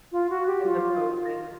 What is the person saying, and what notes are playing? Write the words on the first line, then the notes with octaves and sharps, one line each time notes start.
And the poses.
F4
F#4
G4
F4